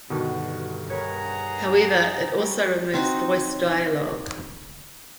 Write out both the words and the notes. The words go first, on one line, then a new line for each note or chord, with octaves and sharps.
However, it also removes voice dialogue.
G2 B2 D3 D#3 F#4
G#4 A#4 B4 C#5 F#5 A#5
G3 C#4 G4
C4 D#4 F#4